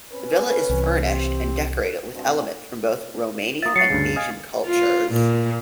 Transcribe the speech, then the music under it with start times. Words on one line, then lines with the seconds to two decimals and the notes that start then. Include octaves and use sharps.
The villa is furnished and decorated with elements from both Romanian and Asian cultures.
0.13 C4 C#4 B4
0.70 C2 E3
1.02 C4 G4
2.14 G2 B2 C4
3.62 A#3 E5 D#6 A6
3.76 F#3 F#4 A6 C7 C#7
3.90 D2 G2 C#3
4.16 D#5 F5 G#5
4.66 F4
5.12 A#2